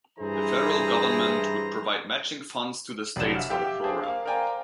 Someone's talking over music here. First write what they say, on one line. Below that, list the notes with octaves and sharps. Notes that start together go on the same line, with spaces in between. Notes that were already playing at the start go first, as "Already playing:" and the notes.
The federal government would provide matching funds to the states for the program.
G2 E3 E4 G#4 C5 A#5
F1 F#2 D3 D5 E7
E5 F#5 F6
G4 E5 F5 G5
D4 G#4 C5
A#3 F5
A#4 C5 D5 G5 G#5 A#5